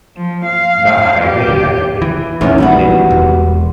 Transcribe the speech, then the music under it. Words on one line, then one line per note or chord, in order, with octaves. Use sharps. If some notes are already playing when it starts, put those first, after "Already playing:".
The highway has been unchanged since.
F3
F5
G4
E3
A#1 E2 D#3 E3 C#4
G3 B3 F#4
E1